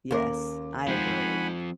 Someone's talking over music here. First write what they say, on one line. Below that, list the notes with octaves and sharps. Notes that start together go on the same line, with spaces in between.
Yes, I agree.
D#2 C#4 A#4 D6
F3 G#3 C4 D#4 F#5 G#5 B5 G6